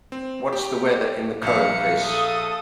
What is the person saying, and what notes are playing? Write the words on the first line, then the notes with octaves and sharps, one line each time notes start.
What's the weather in the current place?
C4
G4
A#1 F5 C#7
A4 D#6